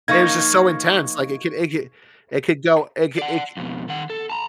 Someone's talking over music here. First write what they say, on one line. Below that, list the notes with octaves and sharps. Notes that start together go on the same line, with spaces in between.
It was just so intense, like, it could it could it could go it c it c
F3 A#3 D#4 C#6 G#6
D5 F#5
F2 B2
D#3 F#5
A4
A5 A#5